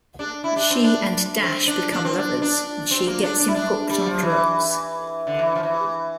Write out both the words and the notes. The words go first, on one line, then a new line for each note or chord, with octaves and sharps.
She and Dash become lovers, and she gets him hooked on drugs.
D4
E4
D4
C4
D4
C4
D4
D4
C4
D4
D4
C4
A#3
D4
D4
E4
D4
G3
F3
E3
D3
E3
F3
E3